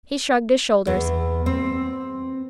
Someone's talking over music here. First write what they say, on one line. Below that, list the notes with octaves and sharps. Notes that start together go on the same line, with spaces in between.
He shrugged his shoulders.
E2
C4